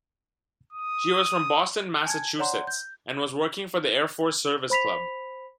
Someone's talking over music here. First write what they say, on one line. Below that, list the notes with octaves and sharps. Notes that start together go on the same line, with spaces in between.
She was from Boston, Massachusetts, and was working for the Air Force service club.
D#6
G#5 A5 G#6
C#5 D5 F#5 A#5 C6
G6
C5 B5 B6 F7